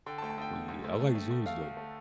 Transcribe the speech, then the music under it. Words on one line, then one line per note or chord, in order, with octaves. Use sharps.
Yeah. I like zoos, though.
D3 G5
A5
D2 G5
A5
D2 G5
D3
D2
D2
A3
A3
D2
A3 F5
A3
A3